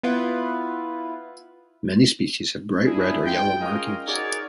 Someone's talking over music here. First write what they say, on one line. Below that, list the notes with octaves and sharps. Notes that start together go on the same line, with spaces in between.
Many species have bright red or yellow markings.
B3 E4 F4 B4
D4 E4 G#4
G#2 G#3 F4 G5
C#4 F4 G#4 A#4 D#5
D#4 F#4 G#4 A#4 C#5 D5